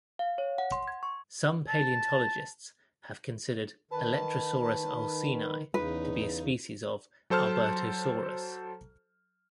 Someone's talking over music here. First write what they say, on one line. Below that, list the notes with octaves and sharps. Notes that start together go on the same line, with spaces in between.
Some paleontologists have considered "Alectrosaurus olseni" to be a species of "Albertosaurus".
F5
C#5
F#5
C6
G#6
C#6
A5
D#3 B4 A5
E2 C#3 D#4 B4
F#3 A4 C5 A5 F6